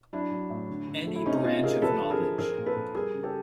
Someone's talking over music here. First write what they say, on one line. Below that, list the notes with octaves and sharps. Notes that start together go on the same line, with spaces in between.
Any branch of knowledge.
F#3 D4 E4
F#3
A2
D3
D3
A3
E4
C3 C#4 D#4
C3 D#4 F4
C3 G#4 A#4
F3 A4 B4
D3
G#4 A#4
F3
F3 G#4 A#4
A#2
A4 B4
A#2
G3 G#4 A#4
C#3
G4 A4